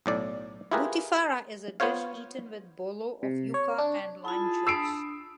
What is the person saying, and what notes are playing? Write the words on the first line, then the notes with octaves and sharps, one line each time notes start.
Butifarra is a dish eaten with "bollo" of yuca and lime juice.
B1 A2 D5
E4 F4 G4 G#4 A#4 B4
B3 F4 C5 C#5 F5
C3
C#5
D4
E4 F4 G#4 A5 B5
D4 D#6 E6 C7 D7